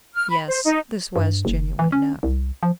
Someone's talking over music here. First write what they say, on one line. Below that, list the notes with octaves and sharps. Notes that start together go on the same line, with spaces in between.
Yes; this was genuine enough.
F6
B5
C5
D#4
G2
F#1
E3
C#4
C2
F3